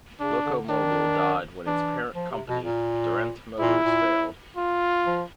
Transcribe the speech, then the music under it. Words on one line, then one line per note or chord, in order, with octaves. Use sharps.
Locomobile died when its parent company, Durant Motors, failed.
C#3 D4
D3
D#3 D4
E3 D4
F3
C3
B2
A#2
A#2 E4
A#2
F4
F3